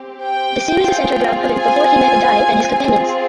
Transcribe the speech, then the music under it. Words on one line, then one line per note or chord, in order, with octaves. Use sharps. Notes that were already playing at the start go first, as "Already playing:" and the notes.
The series is centered around Avan before he met Dai and his companions.
Already playing: C4 G4
G5
C4 F4 G#4
G#5
C4 F4 G#4